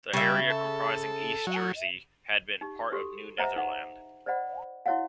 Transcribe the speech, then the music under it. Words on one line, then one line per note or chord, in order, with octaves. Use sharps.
The area comprising East Jersey had been part of New Netherland.
C#3 G3 E5
A4
F#3
D#4 G4
F#4 G4 A4
C5 D#5 E5 F#5 A#5
D#4 F#5
C5 D5 D#5 F#5 B5
E4 F#4 C#5 D#5 F5 F#5